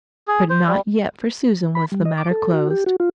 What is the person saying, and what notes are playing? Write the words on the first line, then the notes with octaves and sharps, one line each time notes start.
But not yet for Susan was the matter closed.
G#4
C5
G3
B5
G3
D#5
D6
A4
F#4
G4
F#4
F4